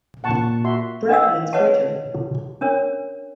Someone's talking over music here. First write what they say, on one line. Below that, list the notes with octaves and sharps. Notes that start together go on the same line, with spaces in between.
"Bret" means 'Breton'.
A#2 F#5 A5 C#6
F#4 E5 C6
D4 D#5 F5 E6
B4 C#5 D#5 F#5 A5
C#4 D4 A#4 C#5